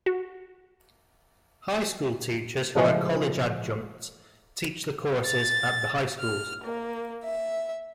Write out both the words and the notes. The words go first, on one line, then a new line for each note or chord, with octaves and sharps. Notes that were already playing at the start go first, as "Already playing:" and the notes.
High school teachers who are college adjuncts teach the courses at the high schools.
F#4
A2 C#3 E3 F3 G#3
A6
F6
A#3
E5